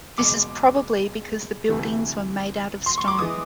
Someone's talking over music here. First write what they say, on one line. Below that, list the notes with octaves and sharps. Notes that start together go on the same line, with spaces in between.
This is probably because the buildings were made out of stone.
F#1 E2 B2 G#3 D6
D2 C3 E3 A3
C6
C#6
D6
E3 G#3 B3 D#6